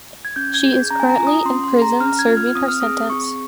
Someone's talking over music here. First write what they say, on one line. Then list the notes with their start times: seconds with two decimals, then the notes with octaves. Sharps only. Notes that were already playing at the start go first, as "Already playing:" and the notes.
She is currently in prison serving her sentence.
0.25 G#6
0.36 C#4 G6
0.54 G#6
0.64 G#4
0.73 G6
0.90 C#4 A#5
1.00 G#5
1.09 A#5
1.18 F4
1.27 D#6
1.45 C#4 C6
1.64 C6
1.73 G#4
1.82 A#5
2.00 C#4 F6
2.19 G#6
2.28 F4
2.37 F6
2.55 C4 D#6
2.68 F6
2.82 G#4 D#6
3.09 C4 C#6